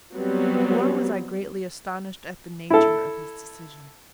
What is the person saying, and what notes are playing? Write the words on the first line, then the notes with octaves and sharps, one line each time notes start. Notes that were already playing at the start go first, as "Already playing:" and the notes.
Nor was I greatly astonished at the nature of his decision.
F#3 G3 B3 C4
E4 A4